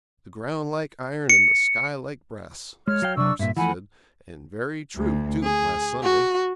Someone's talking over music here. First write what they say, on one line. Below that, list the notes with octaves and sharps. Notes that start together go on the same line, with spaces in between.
The ground like iron and the sky like brass, as the parson said, and very true, too, last Sunday.
C#7
G#3 C#5 F6
F#3 F5 G5
C3 F#3 D4 C#6 E6
G2 A#2 E5
E3 F3 A3 F#5 G#5 B5
D2
G#4
F#4